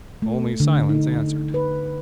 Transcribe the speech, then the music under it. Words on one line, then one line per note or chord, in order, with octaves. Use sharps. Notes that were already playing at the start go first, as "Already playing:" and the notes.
Only silence answered.
A3
D3
D#4
B4